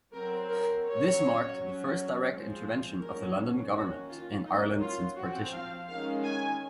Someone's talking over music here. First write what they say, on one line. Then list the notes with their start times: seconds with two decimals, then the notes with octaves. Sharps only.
This marked the first direct intervention of the London government in Ireland since partition.
0.13 F#3 C4 A#4
0.49 A#4
0.85 F#3 C#4 C#5
1.57 F#3 C#4
2.29 F3 G#3 C4
3.00 D#3 F#3 A#3 C#4 A#4
3.72 D#3 A#3 C#4 F#4
4.09 F4
4.44 F#3 A#3 C#4 D#4
4.81 F4
5.16 F3 C4 F#4
5.52 F5
5.88 D#3 G#3 C#4 F5
6.24 G#5